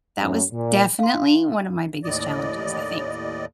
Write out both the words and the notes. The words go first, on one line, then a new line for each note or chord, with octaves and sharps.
that was definitely one of my biggest challenges, I think.
F#2
A#2
F5 C6
D#2 A2 D5 D#5